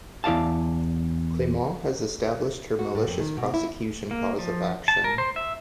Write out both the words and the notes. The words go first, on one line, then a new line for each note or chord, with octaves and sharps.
Claimant has established her malicious prosecution cause of action.
E2 E4 D5 F5 A5
F#4
A2
F2
D#3
B2
E4
A#3
F3
A5
A#4
C5
E5